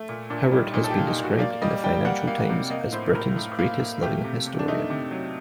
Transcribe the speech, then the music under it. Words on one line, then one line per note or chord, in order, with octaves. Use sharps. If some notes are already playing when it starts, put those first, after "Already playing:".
Howard has been described in the "Financial Times" as "Britain's greatest living historian".
Already playing: A3
A#2
A#2 D4
G3 D#4
A#2 D#4
A4
G4
A#3
D#4
A#2 F#4
A#3 D5
G3 D#5
G3 G5
A#3 F#5
A#3
C3
A#3 D#5
A2 C5
A2 A#4
A2
A#3
A#3
A3 G4
C3
C3
D4
A3 D#4
C3
F#3